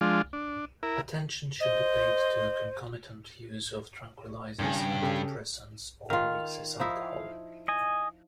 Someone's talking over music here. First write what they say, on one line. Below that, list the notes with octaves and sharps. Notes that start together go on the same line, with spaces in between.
Attention should be paid to concomitant use with tranquillizers, antidepressants or excess alcohol.
F3 G#3 D4 F4
D4
E4 A#4
C5 D#5
G#1 G2 C#3 G#5
C#3 G4 A4
D#3 F4 F5
F3 D#4 E4
D#5 G#5